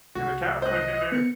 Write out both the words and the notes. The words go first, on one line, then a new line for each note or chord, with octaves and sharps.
and the cat went in there
C2 F#4
C5 D#5 F#6
B3 C#7